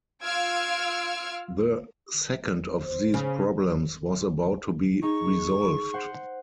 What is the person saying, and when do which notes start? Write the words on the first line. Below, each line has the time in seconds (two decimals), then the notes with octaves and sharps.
The second of these problems was about to be resolved.
0.23 F4 F5 E6 F6 G#6 D7
2.83 C5
3.14 C#3
5.02 D#4 G#4 C#6
5.93 C5 F#5 C6